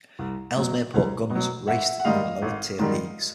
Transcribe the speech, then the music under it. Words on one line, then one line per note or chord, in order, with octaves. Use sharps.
Ellesmere Port Gunners raced in the lower tier Leagues.
C2
B2 F#3
C2
B2
F#3
G#1 E5 F#5
F#5
G#2 D#3 G3 D#5 F5
G#1
G#2 D#3 G3